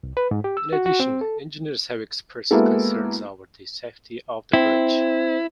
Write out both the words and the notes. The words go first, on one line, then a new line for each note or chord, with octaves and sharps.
In addition, engineers have expressed concerns over the safety of the bridge.
C2
B4
G#2
G4
E6
F#4
F#4
C4
A4
G#3 A#3 B3 E4 F#4 A4
C4 E4